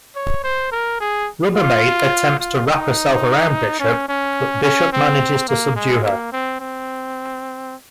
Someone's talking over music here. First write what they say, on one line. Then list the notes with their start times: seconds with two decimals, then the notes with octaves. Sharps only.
Rubbermaid attempts to wrap herself around Bishop, but Bishop manages to subdue her.
0.16 C#5
0.44 C5
0.72 A#4
1.01 G#4
1.56 F4
2.40 F4
2.68 D#4
3.80 C#4
4.09 C#4
4.64 C#4
4.93 C4
5.48 A#3
5.76 G#3
6.04 A#3
6.33 C4
6.60 C4